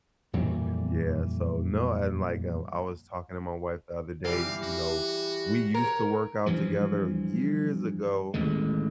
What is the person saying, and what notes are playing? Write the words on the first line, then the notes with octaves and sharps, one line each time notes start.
yeah, so no, and, like, I w I was talking to my wife the other day, you know, we used to work out together years ago,
F2 A#2 E3 G3
E3 G3 F5
F#4
A#4 C#5
G2 E3 F3
A1 D#2 D3 G#3